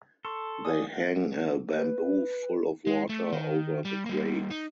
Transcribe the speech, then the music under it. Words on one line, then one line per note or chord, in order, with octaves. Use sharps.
They hang a bamboo full of water over the grave.
A4 C6 C#6
D5 G#5 D#6
B4
G#3
A3
D#3
G3
G3 A#3
D#4